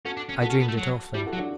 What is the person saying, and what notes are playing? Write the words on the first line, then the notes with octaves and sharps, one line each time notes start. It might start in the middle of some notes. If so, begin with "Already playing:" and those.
I dreamed it often.
C#4 F#4 A4
D4
C#4
B3 F#4 A4
C#4
B3
A3
F#3
G3 E4 G4
F#4 A4
F#3
D4 F#4